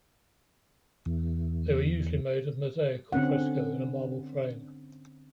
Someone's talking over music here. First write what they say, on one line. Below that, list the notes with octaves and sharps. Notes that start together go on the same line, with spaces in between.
They were usually made of mosaic or fresco in a marble frame.
E2
D3 C4 C#4 F#5